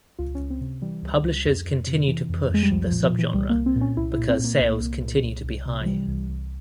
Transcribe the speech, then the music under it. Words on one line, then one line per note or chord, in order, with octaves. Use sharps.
Publishers continue to push the subgenre because sales continue to be high.
C#2 F4
C#4
C#2
C4
C3
E3 G3
C#2
C#2
F2
F2
C3
E3
F2
F2 G#3
G3
C2 F3
F3
A#2
F3
A#2
E3
C2 G3
A#3
C2
C4
A#2
C#4
C2 E4
E4
A#2
C4
A#2 A#3
C2
C2
A#2
C2
C2
C3
F3
E3 G3
C2
C2